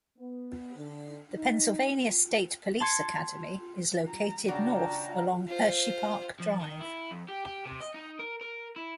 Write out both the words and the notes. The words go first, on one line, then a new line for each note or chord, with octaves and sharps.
The Pennsylvania State Police Academy is located north along Hersheypark Drive.
B3
D3
D#4
A5 C6 G#6 C#7
G3 A#5
C#3 D4 F#4 G5 A5 A#5
F4 C5
F3
D#3
E4
F2
G4
G4
C3
D#5
D#4
A#4
A#4
E4